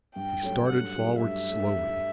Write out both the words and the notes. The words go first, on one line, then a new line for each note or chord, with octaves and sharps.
He started forward slowly.
G2 G5
F#3 A3 C#4 G4
G2 F#5
F#3 A3 C#4 G4
G2 E5
F#3 A3 C#4 G4
G2